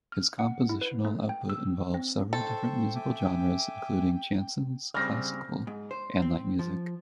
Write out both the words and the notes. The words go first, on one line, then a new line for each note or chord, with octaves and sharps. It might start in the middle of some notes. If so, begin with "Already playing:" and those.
His compositional output involved several different musical genres, including chansons, classical, and light music.
F6
F#5
E4
B4
A3
G5
E6
C4
A4 C5 G5 A5 C#6
E5 G#5 D6
C#3 G3 C4 F6 A#6
G#2
C5
C4
F3